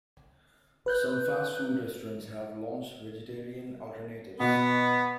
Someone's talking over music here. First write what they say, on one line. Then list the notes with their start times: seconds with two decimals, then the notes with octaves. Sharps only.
Some fast food restaurants have launched vegetarian alternatives.
0.86 B4 F#6 G6
4.40 B2 B3